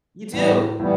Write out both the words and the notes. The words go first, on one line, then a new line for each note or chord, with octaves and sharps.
You do.
A2 E3 G3 B3
A2 E3 G3 B3